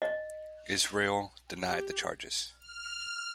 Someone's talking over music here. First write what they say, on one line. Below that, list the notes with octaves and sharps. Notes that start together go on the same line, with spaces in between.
Israel denied the charges.
D#5
G4
F6